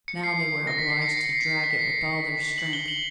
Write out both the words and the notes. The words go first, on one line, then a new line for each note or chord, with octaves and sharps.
Now they were obliged to drag it with all their strength.
C#7
C7
A#6
B6
C7
C#7
C#7
C7
B6
C7
F#7
G7
F#7